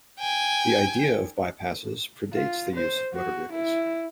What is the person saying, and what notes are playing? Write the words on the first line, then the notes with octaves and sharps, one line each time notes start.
The idea of bypasses predates the use of motor vehicles.
G5 G#5
F4
C5
F#4
E4